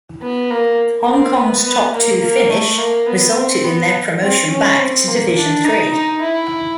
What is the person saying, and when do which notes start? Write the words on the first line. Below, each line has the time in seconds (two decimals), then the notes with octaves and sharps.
Hong Kong's top two finish resulted in their promotion back to Division Three.
0.22 B3
0.51 A#3
1.08 C4
1.36 B3
1.65 B3
1.94 A#3
2.22 A#3
2.50 A3
2.78 A#3
3.08 B3
3.36 C4
3.64 B3
4.22 C4
4.50 C#4
4.78 C4
5.07 A#3
5.36 D4
5.64 D#4
5.93 D#4
6.22 E4